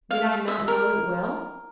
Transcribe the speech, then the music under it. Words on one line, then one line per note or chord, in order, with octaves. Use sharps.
Did I not know it well?
F5
E5
A#4